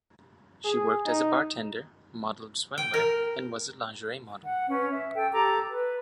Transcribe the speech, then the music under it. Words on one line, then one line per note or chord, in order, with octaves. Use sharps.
She worked as a bartender, modeled swimwear and was a lingerie model.
G#4
D#4
G5
A#4
F#5
C#4 B4
E5
A4 G5
G4 A4 A#5 D6
B4